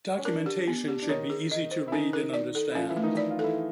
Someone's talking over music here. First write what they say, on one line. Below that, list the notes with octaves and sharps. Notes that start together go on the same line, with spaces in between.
Documentation should be easy to read and understand.
C#4
D4 A#4
G4
B3
G4
D4
D#3 D#4 C#5
G#4
D#5
C5
E4
D#3 C#4 D#4
A#4
D5
A4
E4
F3 C#4 F4
E3 E4
A3
D#3 D#4
E4 D5
F4
E3 E4 A4